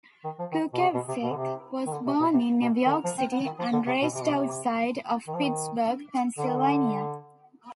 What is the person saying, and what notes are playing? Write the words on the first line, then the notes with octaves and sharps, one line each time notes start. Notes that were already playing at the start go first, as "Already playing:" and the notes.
Klucevsek was born in New York City, and raised outside of Pittsburgh, Pennsylvania.
D#3
F3
D#3
B2
C3
B2
C3
B2
D3
C3
D#3
D3
C3
B2
C3
B2
D#3
D3
F3
C4
B3
D#3
F3
D3
C3
B2
C3
B2
C3
D#3
F3
D#3
D3
D#3
D3